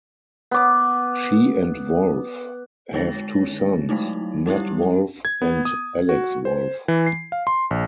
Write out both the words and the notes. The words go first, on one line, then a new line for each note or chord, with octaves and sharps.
She and Wolff have two sons, Nat Wolff and Alex Wolff.
B3 D6
D3 G#3 D#4 C#5 A6 A#6
F#3 G#3 A3 D#4 E4
G3 D#4 E4 G4
G#6
B3
D#6
F#4
C5
E3
C7
F5
C6
A#1